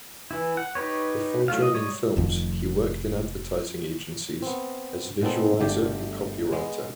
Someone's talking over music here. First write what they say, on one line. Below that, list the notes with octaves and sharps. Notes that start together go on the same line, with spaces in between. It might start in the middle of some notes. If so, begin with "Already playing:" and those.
Before joining films he worked in Advertising Agencies as visualizer and copy writer.
E3 E4
F#5
D#4 G4 B4 C#5
F#3 A3 F4 F5
D#5
G3 C#5 D#5
F1 F2 D#3
B3 C4
A#2 G#3 B3 C4 A4
G1 D3 A3 G4
G#3 B3